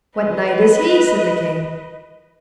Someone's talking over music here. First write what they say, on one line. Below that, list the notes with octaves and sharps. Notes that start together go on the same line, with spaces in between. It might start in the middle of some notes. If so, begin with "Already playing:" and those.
What knight is he? said the king.
B4 D#5